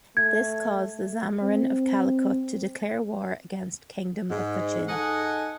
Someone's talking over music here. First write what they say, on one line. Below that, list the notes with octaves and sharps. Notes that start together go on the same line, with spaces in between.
This caused the Zamorin of Calicut to declare war against Kingdom of Cochin.
A3 G#6
C4
G#2
D#4 A4 D#5 F#5 G#5